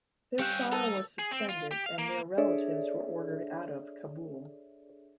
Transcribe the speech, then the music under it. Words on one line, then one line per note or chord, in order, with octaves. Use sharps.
Their trial was suspended, and their relatives were ordered out of Kabul.
G3 C4 C#4 G4 F5 G5 F#6
D#4 A4 A#4 C5 A5
G#4
C4
F4
G4
F5
A#3
D4 G#4 A4 C#5 D5 E5